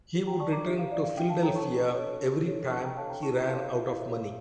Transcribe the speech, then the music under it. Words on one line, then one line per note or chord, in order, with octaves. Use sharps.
He would return to Philadelphia every time he ran out of money.
G4
G5 A#5
D5 A5 C#6
A#5 D6
G4 E5
F5
D5 E5
F5
D4 E5 G5
F5 A5
A4 C#5 G5 A#5
A5 C#6
D4
A4 C#5
D4
A4 C#5
D4 A5 C#6
G5 A#5
A4 C#5 F5 A5
G5 A#5
E4 A5 C#6
G5 A#5
A4 C#5 F5 A5
F5
E4 E5
F5
A4 C#5 E5
F5